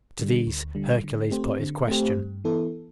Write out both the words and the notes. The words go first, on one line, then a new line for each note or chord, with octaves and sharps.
To these Hercules put his question.
D3 G3
D2
D3 G3
D3
A3 C4 G4 C5
D3
A3 C4 G4 C5
G2
E3 B3 E4 A4